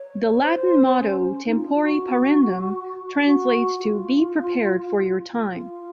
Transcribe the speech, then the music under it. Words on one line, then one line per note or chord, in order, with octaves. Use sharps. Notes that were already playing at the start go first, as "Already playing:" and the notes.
The Latin motto "Tempori Parendum" translates to 'Be prepared for your time'.
Already playing: C#5
C#5
C5
C#4
D#4
F4
F4
F#4
F#4
F#4
F4
F4